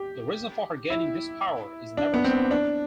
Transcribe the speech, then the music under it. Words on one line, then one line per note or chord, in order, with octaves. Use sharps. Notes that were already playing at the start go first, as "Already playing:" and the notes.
The reason for her gaining this power is never explained.
Already playing: G4
E4
D4
B3
C4
D4